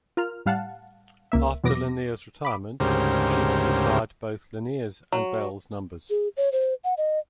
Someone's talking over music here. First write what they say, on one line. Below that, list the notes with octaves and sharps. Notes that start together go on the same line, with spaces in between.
After Lanier's retirement, the Chiefs retired both Lanier's and Bell's numbers.
F4 A#4 F6
A2 G3 F5 F#5 A5
C#2 A#3 E5
E2 B2 F#3 B3 D6 A#6
B5 D6
D2 G#2 C#3 G4 A#4 C5
F#3
G#4
C#5
C5
F#5
D#5